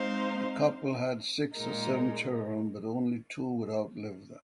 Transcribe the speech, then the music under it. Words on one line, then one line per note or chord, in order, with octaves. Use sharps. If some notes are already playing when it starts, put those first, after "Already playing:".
The couple had six or seven children but only two would outlive them.
Already playing: G#3 C4 D#4 C5 F5
A#2 G#3 D#4 A#4